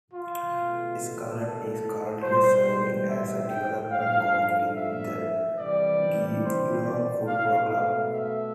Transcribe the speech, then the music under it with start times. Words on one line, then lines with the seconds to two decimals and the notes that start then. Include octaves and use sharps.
Scarlett is currently serving as a development coach with the Geelong Football Club.
0.13 F4
0.54 B2 A3
1.39 A4
2.22 B2 G3 C5
3.07 E5
3.49 G5
3.91 G2 F3 A3 F5
4.75 E5
5.59 C3 E3 G3 D5
6.43 C5
6.85 D5
7.27 B2 A3 F5
7.70 F5
8.12 E5